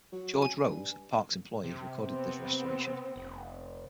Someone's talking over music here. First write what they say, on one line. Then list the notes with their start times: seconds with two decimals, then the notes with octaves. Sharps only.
George Rose, a parks employee recorded this restoration.
0.12 F#3
0.42 G#5
0.67 G2
1.64 C3
2.07 B3 C4
3.16 F1